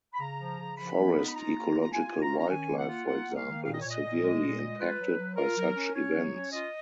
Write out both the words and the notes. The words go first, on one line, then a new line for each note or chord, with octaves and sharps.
Forest ecological wildlife, for example, is severely impacted by such events.
B5
C#3 A#5
F3
C#3
F3 B5
B3
D#4
B5
F4 A#5
A#3
F4
A#5
F4 G#5
F4
A#5
C#4
A#5
D#3 G#5
A#3
F#5
F4
A#3 F#5
A#3
F5
D#3
A#2 F5
D#5
A#2 C#5
D#5
A#2
G#3
A#2
G#3
F4 B4
F#3
F#3
F4 A#4
F#3
C#4
C#4 C#5
F#3
C#4
F4 D#5